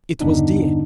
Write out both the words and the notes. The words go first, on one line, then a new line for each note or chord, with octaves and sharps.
It was Dea.
E2 G2 D3 B3 D4 D#4